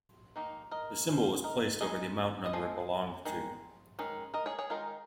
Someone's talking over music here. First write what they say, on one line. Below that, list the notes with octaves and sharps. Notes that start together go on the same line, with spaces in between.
The symbol was placed over the amount number it belonged to.
D#3 A#3 D#4
A#4 D#5
F3 G#3 C#4
A#4 D#5
G#3 D#4 D#5 G#5
D#5
F3 G#3
D#3 G#3
D#3 G#3 C#4
A#4 D#5
G#4 C#5
G#4 C#5
D#3 G#3 D#4 F4 A#4